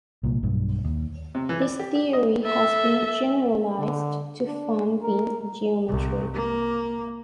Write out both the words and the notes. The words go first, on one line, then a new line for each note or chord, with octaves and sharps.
This theory has been generalized to fan-beam geometry.
C2 A#2
B1 G2
D#2
C3
E3
D5
G4
G4
D#5
A4 E5
D3
D4
A#4
C2
A#3